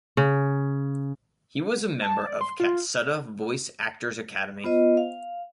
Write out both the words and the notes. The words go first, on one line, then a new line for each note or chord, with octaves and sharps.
He was a member of Katsuta Voice Actor's Academy.
C#3
A5
D5
C6
F4
B3 F4 C5 D#5
F5